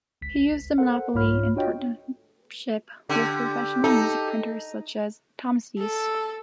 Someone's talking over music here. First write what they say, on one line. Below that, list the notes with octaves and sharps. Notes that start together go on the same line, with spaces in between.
He used the monopoly in partnership with professional music printers such as Thomas East.
G1 C#2 B6
A4 A#4 C5 F#5
C2 G#2 F4 C#5 B5 F6
D4 F4 F#4 C#5 D#5 G5
D3 G4
D#4 A4
A4